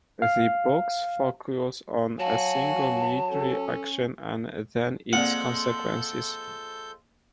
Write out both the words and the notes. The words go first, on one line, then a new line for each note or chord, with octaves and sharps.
The books focus on a single 'military' action and then its consequences.
F5
F#3 F#4 F5 G#5 A5
C#4 A4
F3 G#3 A#3 C4 A4 D5 F#5 G6